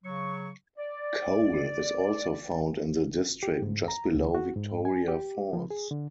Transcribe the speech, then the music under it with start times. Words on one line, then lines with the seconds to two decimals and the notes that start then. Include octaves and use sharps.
Coal is also found in the district just below Victoria Falls.
0.03 C#3 F#3 C#6
0.77 D5
3.43 G4
3.62 G#2
3.88 A#5
4.15 D2
4.35 F#4
4.56 G#2
4.85 G#5
5.08 G4
5.53 F3
5.71 G#4
5.91 D3